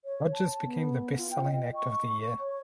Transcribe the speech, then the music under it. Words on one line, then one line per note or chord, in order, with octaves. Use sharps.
Rodgers became the best selling act of the year.
C#5
A5
B3
F4
G5
D#5
C#6
C#5